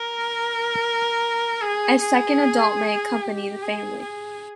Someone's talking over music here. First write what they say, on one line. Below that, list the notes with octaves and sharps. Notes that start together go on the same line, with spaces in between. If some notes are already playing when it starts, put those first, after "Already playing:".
A second adult may accompany the family.
Already playing: A#4
G#4
G#4
G4
G#4
G#4